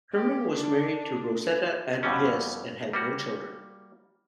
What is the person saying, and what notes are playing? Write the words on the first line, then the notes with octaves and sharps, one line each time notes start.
Herman was married to Rosetta Andriesse and had no children.
G4
D4
F2 B2 E3 G3 C#4
G3 A#3 F#4